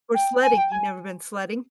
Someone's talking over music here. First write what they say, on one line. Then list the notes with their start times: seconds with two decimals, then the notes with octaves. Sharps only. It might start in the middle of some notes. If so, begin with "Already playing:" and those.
Or sledding. You never been sledding?
0.14 G5
0.43 G#5
0.57 G5
0.72 G#5